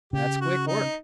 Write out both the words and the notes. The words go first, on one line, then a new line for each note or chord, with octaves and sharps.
That's quick work.
C#3 G4
F#4
D#4